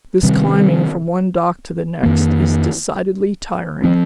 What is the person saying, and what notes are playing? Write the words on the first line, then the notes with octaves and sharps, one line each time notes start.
"This climbing from one dock to the next is decidedly tiring."
C3 D#3 G3 C4
F2 D#3 A#3
F3 C4